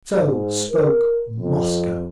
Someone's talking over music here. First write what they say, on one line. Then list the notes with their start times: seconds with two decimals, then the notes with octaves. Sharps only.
So spoke Moscow....
0.22 G#2
0.70 A#4
1.38 F2